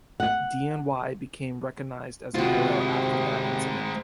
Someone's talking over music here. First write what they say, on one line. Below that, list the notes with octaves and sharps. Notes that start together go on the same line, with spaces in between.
Dian Wei became recognised as a hero after that incident.
F#5
C3 G#3 C4 F4 F#4